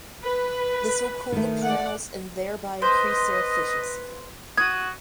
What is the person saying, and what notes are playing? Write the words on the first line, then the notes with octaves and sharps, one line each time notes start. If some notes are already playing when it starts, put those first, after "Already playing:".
This will cool the panels and thereby increase their efficiency.
B4
D#3 A3
D5 F#5
B4 C5 D#5
F#4 D#6 G#6